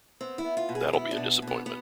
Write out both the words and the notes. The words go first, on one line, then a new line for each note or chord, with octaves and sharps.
That'll be a disappointment.
B3 C4
E4
B3
F4
B2
G#4
B3 E4
D4
B2
B2
B3
B3